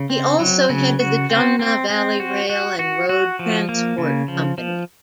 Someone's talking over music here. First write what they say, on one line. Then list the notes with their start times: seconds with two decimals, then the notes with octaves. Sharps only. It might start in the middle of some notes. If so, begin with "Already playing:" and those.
He also headed the Jumna Valley Rail and Road Transport Company.
Already playing: C#3
0.10 C4
0.40 F#3
0.69 C#3
1.00 F#4
1.30 C4
1.59 C4
1.90 C4
2.20 F#4
2.49 F#4
2.79 F#4
3.09 F#4
3.39 F3
3.69 A#3
3.98 C#3
4.28 F3
4.58 F3